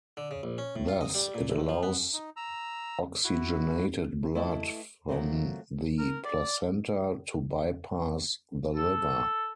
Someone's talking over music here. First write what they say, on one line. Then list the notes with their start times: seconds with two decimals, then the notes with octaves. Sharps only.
Thus, it allows oxygenated blood from the placenta to bypass the liver.
0.17 D3
0.31 C#3
0.43 A#1
0.58 C#4
0.76 A2
0.88 F4
1.01 D#5
1.15 G3
1.34 A#2
1.50 E2
1.69 F3
1.83 B3
2.13 D#4
2.36 A#5 E6
3.24 E4 F#4
4.35 A3 E4 B4 D#5 A5
5.08 F3 F#3 A3 A#3 C4
5.99 A#4
6.25 D5
8.76 A4